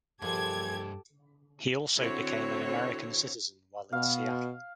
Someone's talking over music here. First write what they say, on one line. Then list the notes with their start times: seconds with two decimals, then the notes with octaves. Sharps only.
He also became an American citizen while in Seattle.
0.22 A#1 G2 G4 A4 C5 G#6
1.96 D3 C4 E4 F#4 C#5
3.92 B2 F5